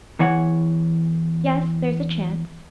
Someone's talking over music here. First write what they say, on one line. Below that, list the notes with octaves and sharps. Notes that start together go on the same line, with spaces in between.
"Yes, there's a chance."
E2 E3 C#5 F#5